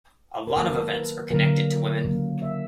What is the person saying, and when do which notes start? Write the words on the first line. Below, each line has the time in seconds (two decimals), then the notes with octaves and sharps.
A lot of events are connected to women.
0.47 A#4
0.56 D#3 F#3 A#3 A4
0.70 A4
0.75 A#4
0.94 B4
1.31 D3 F#3 A#3 A#4
2.05 C#3 F#3 A#3
2.42 E5